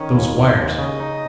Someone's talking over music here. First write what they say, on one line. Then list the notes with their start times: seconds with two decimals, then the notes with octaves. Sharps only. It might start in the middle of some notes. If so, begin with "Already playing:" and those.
Those wires!
Already playing: D#3 C#4
0.15 D#2
0.36 D#2
0.57 D#2
0.79 C#3 D#5
1.00 D#4